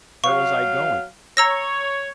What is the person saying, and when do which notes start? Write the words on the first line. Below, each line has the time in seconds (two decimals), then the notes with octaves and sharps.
Where was I going?
0.24 F#3 F5 C#6
1.37 C#5 A#5 E6 A#6